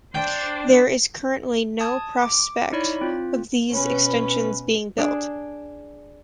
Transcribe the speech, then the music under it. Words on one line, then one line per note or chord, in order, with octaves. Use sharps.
There is currently no prospect of these extensions being built.
D4 C5 G5
A5 D#6 G#6
D6
D#4 E4 C#5 D5 B5
C4 F4
B2 C#4 B4
D4 G#4